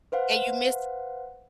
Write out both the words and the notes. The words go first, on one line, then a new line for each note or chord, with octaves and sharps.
and you miss
B4 C5 F5 F#5